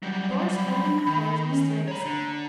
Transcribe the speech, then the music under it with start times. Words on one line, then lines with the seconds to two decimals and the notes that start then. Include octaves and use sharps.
Doors opened and closed mysteriously.
0.03 F#3 G3
0.56 B5
1.07 D#3
1.49 C#4
1.88 C#5 A#5 B5
2.05 D3